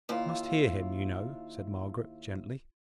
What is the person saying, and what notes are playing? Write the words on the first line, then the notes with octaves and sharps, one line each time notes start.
"I must hear him, you know," said Margaret, gently.
D#2 E4 F4